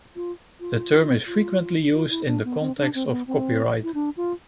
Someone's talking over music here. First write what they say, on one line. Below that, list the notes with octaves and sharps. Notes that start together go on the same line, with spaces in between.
The term is frequently used in the context of copyright.
F4
F4
F4
F4
E4
D4
B3
C4
D4
C4
A3
B3
C4
E4
D4
F4